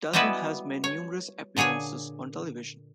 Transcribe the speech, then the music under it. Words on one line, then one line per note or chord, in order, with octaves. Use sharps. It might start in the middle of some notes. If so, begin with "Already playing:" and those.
Dalton has made numerous appearances on television.
G3 G#3 B3 E4 F#4 B4
C#5
A#2 D3 G#4 C#5 G#5